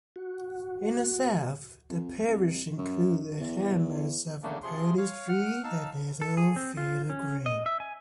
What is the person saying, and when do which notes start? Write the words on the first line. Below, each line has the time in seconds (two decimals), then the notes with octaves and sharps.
In the south, the parish includes the hamlets of Paley Street and Littlefield Green.
0.16 F#4
1.89 F2
2.28 C2
2.77 F#2
3.40 E2
4.43 E2 A2 C#3 A3 A#3 D4
4.63 C3 F3 G#4 C6
4.98 C#5 F5
5.29 F#5 F6
5.64 D#4 F5 A5 E6
6.22 A4
6.37 G#4
6.56 C4
6.77 F4
7.10 C#4
7.46 D#5
7.66 E5
7.80 G#5